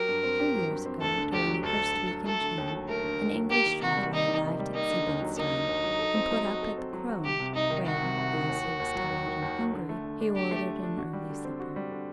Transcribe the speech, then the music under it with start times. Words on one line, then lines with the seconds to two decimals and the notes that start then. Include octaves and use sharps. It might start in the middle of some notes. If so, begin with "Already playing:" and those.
Two years ago, during the first week in June, an English traveller arrived at Siebenstein and put up at the "Krone," where, as he was tired and hungry, he ordered an early supper.
Already playing: F#3 G4 A#4
0.08 G2
0.23 C4
0.39 G4
0.55 F#3
0.70 G2
0.86 C4
1.01 D2 A4
1.17 D3
1.33 D2 G4
1.48 F#3
1.63 D2 A4
1.79 D3
1.95 D2
2.10 F#3
2.26 A3 A4
2.41 D3
2.58 D#2
2.73 F#3
2.88 A3 A#4
3.04 D3
3.19 D#2
3.35 F#3
3.50 A#3 G4
3.66 D#3
3.82 C3 F#4
3.97 G3
4.13 A#3 D#4
4.28 D#3
4.44 C3
4.59 G3
4.74 A#3 D#4
4.90 D3
5.06 D#2
5.21 F#3
5.37 A#3 D#4
5.53 D3
5.68 D#2
5.84 F#3
5.99 A4
6.15 C4
6.31 F#3
6.46 F#4
6.62 A4
6.78 C4
6.93 F#3
7.09 F#4
7.24 C2 G4
7.40 C3
7.55 C2 D#4
7.70 D#3
7.86 C2 F#4
8.02 C3
8.18 C2
8.33 D#3
8.49 D#2
8.64 D#3
8.80 D#2
8.95 F#3
9.11 D#2
9.27 D#3
9.42 D#2
9.58 F#3
9.73 D3
9.89 A3
10.04 D3
10.20 D4
10.36 D3 G4
10.51 A3
10.67 D3
10.83 D4
10.98 F#4
11.13 G3
11.30 D3
11.45 C4
11.60 F#4
11.76 G3
11.91 D3